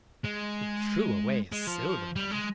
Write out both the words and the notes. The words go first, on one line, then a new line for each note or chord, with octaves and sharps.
He threw away his silver money.
G#3
G#3
F3
G3
G#3